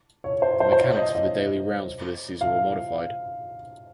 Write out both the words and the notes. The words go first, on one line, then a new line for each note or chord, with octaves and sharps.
The mechanics for the daily rounds for this season were modified.
C#5
C5
C5
C5
C#5
D#5
D#5
F5